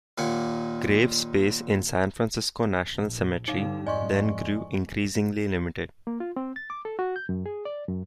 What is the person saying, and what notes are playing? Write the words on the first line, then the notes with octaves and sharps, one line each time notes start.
Grave space in San Francisco National Cemetery then grew increasingly limited.
D#2 A#2 D#4 F#5 G#5
A#1
G2 D3 G3 D#4 F5
F2 G#2 D5 D#5 G#5 C6 C#6
A#3
F4
C4
A6
D6
A4
F#4
G6
F#2
G#4
D5
F#2